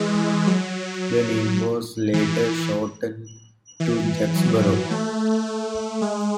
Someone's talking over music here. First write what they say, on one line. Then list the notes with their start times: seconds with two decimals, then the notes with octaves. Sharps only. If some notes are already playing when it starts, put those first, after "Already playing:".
The name was later shortened to Jacksboro.
Already playing: E3 G#3
0.47 F#3
2.13 E3
3.80 E3
4.35 F#3
4.90 A3
5.46 A3
6.01 G#3